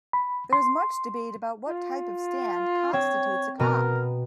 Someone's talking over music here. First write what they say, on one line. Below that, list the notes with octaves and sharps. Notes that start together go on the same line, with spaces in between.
There is much debate about what type of stand constitutes a Kop.
B5
C6
F4
C4 C#5
B2 B3 A#4 A#5